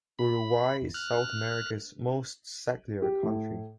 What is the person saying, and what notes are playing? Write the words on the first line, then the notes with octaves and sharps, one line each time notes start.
Uruguay is South America's most secular country.
B5
E2
F6 F#6
G4
A2